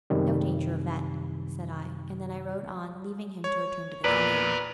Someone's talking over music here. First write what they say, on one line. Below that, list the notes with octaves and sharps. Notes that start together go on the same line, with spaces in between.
"No danger of that," said I; and then I rode on, leaving him to return to the command.
F#2 C3 D#3 G3
C#5
E2 A#2 D4 A#4 B4 D5